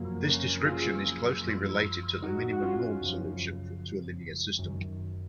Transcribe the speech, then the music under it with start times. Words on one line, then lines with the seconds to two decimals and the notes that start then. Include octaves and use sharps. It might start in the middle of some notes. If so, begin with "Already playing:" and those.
This description is closely related to the Minimum norm solution to a linear system.
Already playing: F#2 C#3 F3 F#3 A#3
0.27 A#3 C#4
0.66 F4 G#4
1.45 F#2 F3
2.22 D#4 F#4
2.53 F#4
2.62 C#4 F4
3.01 F#2 C#3 F3
4.59 F#2 D#3